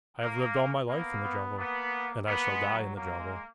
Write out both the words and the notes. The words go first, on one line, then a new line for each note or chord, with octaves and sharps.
I have lived all my life in the jungle, and I shall die in the jungle.
A#3
A#3 B3
B3
A#3 B3
A#3 B3
G#3
F#3
F#3 A#3
G#3